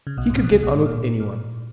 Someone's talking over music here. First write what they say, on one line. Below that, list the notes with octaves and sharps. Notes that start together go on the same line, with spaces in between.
He could get on with anyone.
C#3
B1 B2
G#2
A#2
B2
C#2 C#3
B1 B2
G#2
A#2
A#2